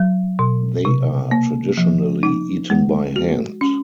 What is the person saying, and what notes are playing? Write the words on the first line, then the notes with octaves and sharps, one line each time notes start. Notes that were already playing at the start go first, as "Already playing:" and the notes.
They are traditionally eaten by hand.
Already playing: F#3
B2
C3
A#3
F3
D#4
G#3
F#4
C#4